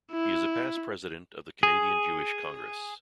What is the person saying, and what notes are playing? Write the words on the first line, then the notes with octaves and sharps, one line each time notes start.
He is a past president of the Canadian Jewish Congress.
E4
G#4